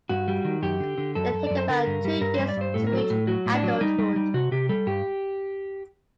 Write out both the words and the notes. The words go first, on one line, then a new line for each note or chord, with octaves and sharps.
They take about two years to reach adulthood.
G2 F#4
G3
D#3
F#2 G4
D3
D3
F#2 A4
F#2
F#2 D5
C5
D3 A#4
G2
G3
G2 A#4
G3 C5
D5
G2 C5
A2 A4
A#4
F#3
A4
A2
F#3 F#4
A2
D4
F#3
G3 D#4
G3
G3
C3 F#4
C3 G4
G3 A4
G2 G4